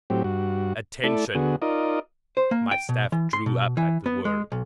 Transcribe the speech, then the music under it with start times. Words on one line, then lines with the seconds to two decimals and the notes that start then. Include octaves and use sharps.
"Attention!" My staff drew up at the word.
0.10 A2 F#3 C4 G4
0.24 G2 F#4
1.04 A3 E4 A4 D5
1.35 D3 B3 F#4 G#4
1.62 D#4 F4 A#4 D5 D#5
2.37 C5
2.51 A#3
2.71 G5
2.89 B2
3.12 E3
3.33 C6
3.46 B2
3.77 E3
4.06 B3
4.25 G#3
4.52 B1